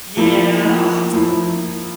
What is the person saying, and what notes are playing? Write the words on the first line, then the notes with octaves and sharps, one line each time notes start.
Yeah, awesome.
F3 A#3 E4
F3 A#3 E4
F3 A#3 E4